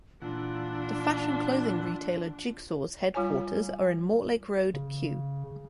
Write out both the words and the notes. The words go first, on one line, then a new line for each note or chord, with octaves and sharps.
The fashion clothing retailer Jigsaw's headquarters are in Mortlake Road, Kew.
A#2 E3 D4 F4 F#5
G3 F4 C#5 G#5
C#3